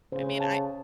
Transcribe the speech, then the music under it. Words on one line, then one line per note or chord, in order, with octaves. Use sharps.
I mean, I
C#3 C5
A5